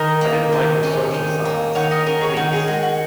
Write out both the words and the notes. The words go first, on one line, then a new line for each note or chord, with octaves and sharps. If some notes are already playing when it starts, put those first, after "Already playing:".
I didn't like the social sides - the cliques.
Already playing: D#3 A#4 D#5
A#3
D#3
C#4
D#3
A#3
D#3 C#5 F#5
A#4 D#5
C#4 A#4 D#5
G#4 C#5
D#3 F#4 A#4
G#4
G#3 F#4
F#4